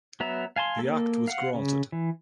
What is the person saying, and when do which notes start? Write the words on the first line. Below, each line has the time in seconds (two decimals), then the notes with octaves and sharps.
The Act was granted.
0.20 F#3 B3 E5 A#5
0.56 F5 G#5 A5 C6
0.79 A#3 A4
1.28 F5 F#5
1.54 C#3
1.92 E3